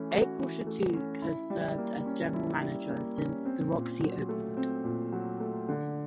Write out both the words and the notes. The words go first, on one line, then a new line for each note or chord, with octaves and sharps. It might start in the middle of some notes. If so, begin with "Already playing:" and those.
April Shattuck has served as general manager since The Roxy opened.
Already playing: E3 A3 C#4
F#4
E3
A3
C#4
E4
G3
A#3
C#4
E4
G3
A#3
C#4
C4
A#2
F#3
A3
C4
A#2
F#3
A3
D3